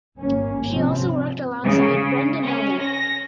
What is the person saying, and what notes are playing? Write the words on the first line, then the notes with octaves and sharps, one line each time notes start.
She also worked alongside Brenda Milner.
G#1 G2 A#3 C#4
G#2 C3 F3 C4
C#3
C#4
A#6